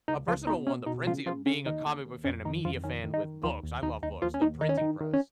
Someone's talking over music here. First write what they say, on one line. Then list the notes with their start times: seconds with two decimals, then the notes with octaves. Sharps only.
a personal one, the printing of being a comic book fan and a media fan with books. I love books. The printing press,
0.08 C#2 D#4
0.28 C#2 F3 F4
0.47 B2 D#4
0.67 B2 C#4
0.86 B2 D#4
1.06 C#3 F3 F4
1.26 C#3 F3 F4
1.46 C#3 C#4
1.66 D#2 D#4
1.86 D#2
2.06 D#2
2.24 F2 C#4
2.45 D#3 D#4
2.65 F2 F3 F4
2.84 D#3 C#4
3.04 D#3
3.14 D#4
3.24 D#3
3.43 D#2 F3 F4
3.63 D#2
3.83 D#2 D#4
4.03 D#2 D#4
4.22 D#2 F3 F4
4.34 C#4
4.42 D#2 D#4
4.61 D#3 D#4
4.69 C#4
4.77 D#3 D#4
5.01 D#3
5.13 C#4